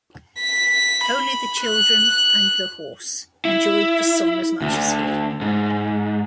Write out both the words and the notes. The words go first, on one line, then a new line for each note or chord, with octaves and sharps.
Only the children and the horse enjoyed the song as much as he.
B6
B5
F#6
E4
D2
G#2